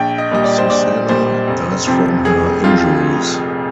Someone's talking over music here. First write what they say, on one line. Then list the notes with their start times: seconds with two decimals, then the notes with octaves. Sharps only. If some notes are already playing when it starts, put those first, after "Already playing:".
Susana dies from her injuries.
Already playing: A#1 G5
0.18 D#5
0.31 A#2 G3 D#5
0.44 D5
0.58 C5
0.70 A#1 D5
1.09 A#2 G3 C5
1.47 F1
1.87 F2 C3 F3 C4
2.25 F1 G#4
2.64 F2 C3 F3 C4 F4